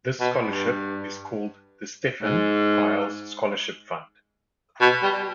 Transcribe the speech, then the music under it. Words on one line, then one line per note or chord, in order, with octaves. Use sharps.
This scholarship is called The Stephan Pyles Scholarship Fund.
B2
G2
G#2
B2
G3